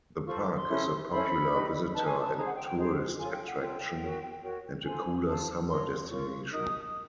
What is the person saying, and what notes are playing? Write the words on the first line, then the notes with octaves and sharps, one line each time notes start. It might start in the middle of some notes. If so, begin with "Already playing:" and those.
The park is a popular visitor and tourist attraction, and a cooler summer destination.
F4 A4 C5 C#6
D6
C6
C#4 E4 A4 C5
C#4 E4 A4 C5 B5
D#4 G4 B4
D#4 G4 B4 A5
G#5
A5
D#4 G#4 C5 A#5
F#5
G5
G5
D#4 G#4 C5
F4 A4 C#5 G#5
G5
F#5
F4 A4 C#5 G5
F#4 A#4 C#5
F#4 A#4 C#5
F4 A4 C5 G#5
F4 A4 C5 A5
F4 A#4 C#5 C6
F4 A#4 C#5 C#6
D#4 F#4 A#4 D#6